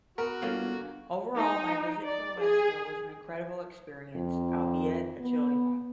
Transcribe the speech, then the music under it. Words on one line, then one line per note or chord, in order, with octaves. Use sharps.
Overall, my visit to Alaska was an incredible experience, albeit a chilly one.
B3 F#4 A#4
G1 D3 A#3 C#4
D#4
D5
G#4
F2
B3